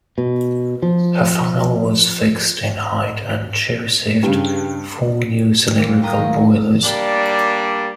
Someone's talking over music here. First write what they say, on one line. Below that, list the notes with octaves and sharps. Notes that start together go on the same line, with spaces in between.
Her funnel was fixed in height and she received four new cylindrical boilers.
B2
F3
G2 C#3
A#2 E3 G3 E4
F4 G4 G5 A#5 D#6
D#3 F#3
G3 A#3 D4